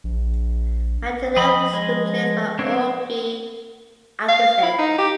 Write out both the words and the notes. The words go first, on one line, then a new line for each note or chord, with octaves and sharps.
Madela was replaced by Ogie Alcasid.
A#1
F3 D#5 B5
G#3
C4 D4 C#5
F5
E4
D#4
G4